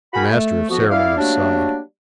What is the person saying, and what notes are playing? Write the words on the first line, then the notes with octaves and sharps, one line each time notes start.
The Master of Ceremonies sighed.
F#4 G#4 A#4 G5 G#5 B5
A3
F2 F3 B3 F#4
E4 D5 F5
F#3 G3 A3 A#3 D4